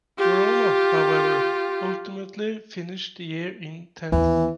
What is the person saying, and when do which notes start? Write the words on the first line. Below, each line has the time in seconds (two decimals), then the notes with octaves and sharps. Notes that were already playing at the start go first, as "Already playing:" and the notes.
Verona, however, ultimately finished the year in tenth.
0.18 F4 G4
4.12 D#2 E3 B3